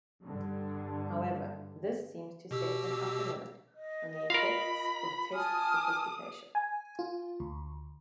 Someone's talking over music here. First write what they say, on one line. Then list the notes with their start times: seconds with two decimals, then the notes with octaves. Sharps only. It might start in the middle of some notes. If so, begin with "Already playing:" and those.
However, this seems to set an upper limit on the effects of test sophistication.
0.23 G2 D3
2.51 B2 G4 E6
3.76 D#5
4.30 F4 A#4 F5 B5
5.34 G#5 A5 D#6 F6
6.55 G#5
6.99 F4
7.40 D2